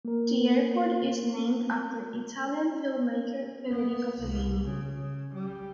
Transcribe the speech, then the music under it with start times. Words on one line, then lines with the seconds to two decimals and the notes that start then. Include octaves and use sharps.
The airport is named after Italian filmmaker Federico Fellini.
0.05 A#3 A#4
3.72 B3
4.21 C2
4.64 C#3
4.99 C#3
5.34 G3